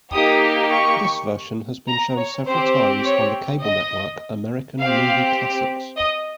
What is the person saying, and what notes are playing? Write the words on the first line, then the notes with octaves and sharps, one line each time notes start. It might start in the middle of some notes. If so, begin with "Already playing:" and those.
This version has been shown several times on the cable network American Movie Classics.
A#3 D#4 G4 D#6
C#6
A#5
C#5
C4 G4 C5
C#5
D#5
C4 G4 F5
D#5